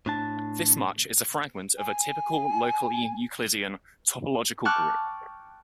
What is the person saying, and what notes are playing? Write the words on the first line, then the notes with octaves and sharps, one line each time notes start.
This much is a fragment of a typical locally Euclidean topological group.
A2 D4 A5
G#5
G5 A5 C#6 D6 F6 F#6